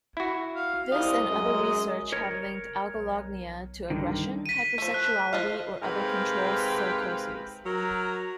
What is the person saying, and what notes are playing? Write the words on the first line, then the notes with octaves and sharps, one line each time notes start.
This and other research have linked algolagnia to aggression, hypersexuality, or other control psychoses.
E4 F#4
F5
C2 D#5 F5
F#2 G#3
F#1 A#4 C#5
B1
G2 D3 D#3
B6 D#7
F3 A3
F#6
F3 D#5 F5
G#2 C3 A#4 B4 F5 G5
F#3 A#4